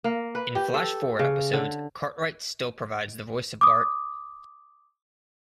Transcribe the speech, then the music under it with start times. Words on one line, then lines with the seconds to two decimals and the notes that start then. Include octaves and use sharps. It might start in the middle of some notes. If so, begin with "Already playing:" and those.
In flashforward episodes, Cartwright still provides the voice of Bart.
0.04 A#3
0.35 B4
0.55 G4
0.74 A4
1.19 C#3
1.53 D3
3.61 D6 D#6